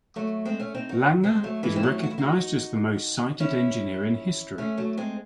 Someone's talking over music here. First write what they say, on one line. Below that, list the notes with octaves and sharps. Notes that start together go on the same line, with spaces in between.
Langer is recognized as the most cited engineer in history.
F#3 A3
G#3 C4
A3 C#4
C4 D#4
D#4 F#4
G#3 C4
F#3 A3
E3 G#3
C4
F#3 A3
F#4
E4
D#4 F#4
C#4 E4
A3 C#4
F#3 A3
G#3 C4